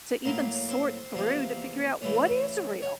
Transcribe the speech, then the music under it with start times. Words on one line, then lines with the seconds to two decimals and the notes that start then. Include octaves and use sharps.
to even sort through to figure out what is real.
0.25 A2 F#3 A#3 A#4
0.69 C4 C5
1.13 E2 C3 F3 A#3
2.02 C#3 E3 A3 C#4
2.82 C#5